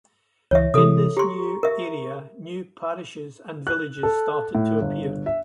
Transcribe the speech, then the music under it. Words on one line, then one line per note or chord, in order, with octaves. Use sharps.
In this new area, new parishes and villages started to appear.
C#2 E3 C#5 E5
C3 E3 A4 D#6
G4 A#5 C6 C#6
A#4 E5
F#6
A4
A2
G1
E5